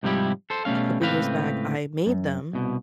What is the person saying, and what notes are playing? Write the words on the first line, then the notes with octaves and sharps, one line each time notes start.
a couple years back, I made them,
G#2 C3 F3 G3 E4 G4
A4 C5
B2 G3 A3 C#4 F5
C#2 A2 C4 D#4 B4 F5
F#2
C2 B2